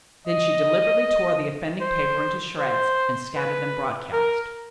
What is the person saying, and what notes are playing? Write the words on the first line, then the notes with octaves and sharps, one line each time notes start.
Then she deliberately tore the offending paper into shreds and scattered them broadcast.
D#5
C5
C5
B4
A#4